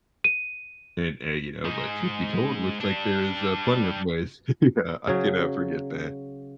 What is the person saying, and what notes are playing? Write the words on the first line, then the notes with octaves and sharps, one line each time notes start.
and and, you know, but, truth be told, looks like there is, uh, plenty of ways yeah, I can, uh, forget that.
D#7
G#2 G#3
G3 D4
C#3 F#3